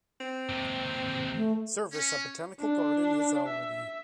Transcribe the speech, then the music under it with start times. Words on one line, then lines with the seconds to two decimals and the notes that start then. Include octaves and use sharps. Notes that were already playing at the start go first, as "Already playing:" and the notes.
Service at Botanical Garden is hourly.
0.20 C4
0.49 D#2 C3
1.36 A3
1.91 C#4
2.60 D4
3.48 E5